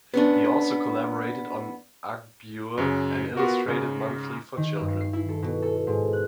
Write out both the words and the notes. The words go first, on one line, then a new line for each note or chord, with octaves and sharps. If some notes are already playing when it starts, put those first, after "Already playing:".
He also collaborated on "Aghbyur", an illustrated monthly for children.
B3 C#4 D4
F#2 C#3
B3 F4 F#4 A#4
G#2 C#3
D#3
G2
C7
E4
A4
B2
A4
G#2
F#6